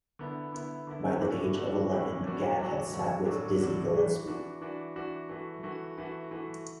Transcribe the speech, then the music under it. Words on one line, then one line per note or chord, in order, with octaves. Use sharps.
By the age of eleven Gadd had sat in with Dizzy Gillespie.
D3 B3 E4
D3 B3 E4
D3 B3 E4
A2 E3 D4 F#4
A2 E3 D4 F#4
A2 E3 D4 F#4
A2 E3 D4 F#4
A2 F#3 D4 F#4
A2 F#3 D4 F#4
A2 F#3 D4 F#4
A2 F#3 D4 F#4
E3 D4 F#4
E3 D4 F#4
E3 D4 F#4
E3 D4 F#4
E3 A3 F#4
E3 A3 F#4
E3 A3 F#4
E3 A3 F#4